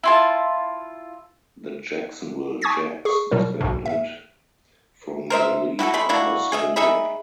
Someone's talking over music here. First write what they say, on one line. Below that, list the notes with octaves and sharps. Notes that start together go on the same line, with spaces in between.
The Jacksonville Jacks disbanded from the league on the same day.
E4 F4 A5
G#5 C#6 D#6 G#6 A6 B6
G#4 C#6
B2 F#3 G3 A#4
B1 G#2 B2
E5
A#4 C5 D#5 E5
E4 F#4 G4 A4
G#3 A3 B5
A#3 D4 E4 F#4
G#4 D#5 E5
D#4 G#4 E5 B5